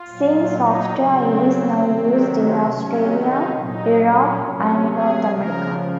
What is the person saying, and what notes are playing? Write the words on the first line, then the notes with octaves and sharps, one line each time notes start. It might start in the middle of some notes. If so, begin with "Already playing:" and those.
Zing software is now used in Australasia, Europe and North America.
Already playing: F4
A#2 F#3
D#4
C#3 F#3 C4
C3 D#3 F#3
G#3
C3 D#3 F#3 C#4
D#4
A#2 F#3 D#4
C#4
C3 F#3 C#4
G#4
C#3 F3 A#4